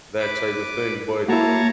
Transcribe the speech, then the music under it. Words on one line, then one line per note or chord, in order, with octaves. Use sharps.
that type of thing, but,
B4 D6
A#3 E4 F#4 C#5 A5 A#5